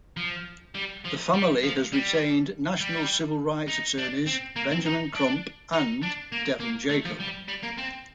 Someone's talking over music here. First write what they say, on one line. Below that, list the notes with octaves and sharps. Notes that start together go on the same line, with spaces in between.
The family has retained national civil rights attorneys Benjamin Crump and Devon Jacob.
F3
G3
F3
G3
F3
G3
G3
D#4
D4
C4
A#3
C4
D#4
D4
D#4
D4
A#3
A#3
A3
F3
G3
G3
A#3
C4